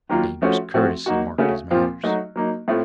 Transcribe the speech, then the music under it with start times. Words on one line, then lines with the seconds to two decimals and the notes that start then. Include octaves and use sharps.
A dangerous courtesy marked his manners.
0.09 D#3 F#3 A#3 F4
0.42 F3 A3 C#4 F#4
0.74 F3 A3 C4 F#4
1.06 F#3 A#3 D#4 F#4
1.38 C#3 A3 C#4 F#4
1.71 A#2 F3 C4 F4
2.03 F#3 A3 D#4 F#4
2.36 F#3 A#3 D#4
2.68 A2 A3 C4 F4